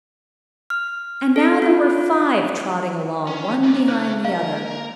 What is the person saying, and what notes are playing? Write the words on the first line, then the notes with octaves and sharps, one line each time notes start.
And now there were five trotting along, one behind the other.
F6
A4
F4
C#4 A#4 G5
D2 C3 D#4
C#3 C5
A#4 D#5 F5
A#3